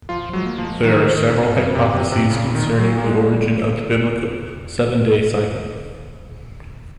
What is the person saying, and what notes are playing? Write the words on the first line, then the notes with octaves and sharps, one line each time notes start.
There are several hypotheses concerning the origin of the biblical seven-day cycle.
F3 F4
F#3 G#3
A#3
F3
G#3
D#3 F#3
D#3
C#3
C3
G#2
F#2 C#3
F2 C3
G#2
F#2 C3
G#2 C3
A#2 C#3
D#3
F#3
A#3
G#3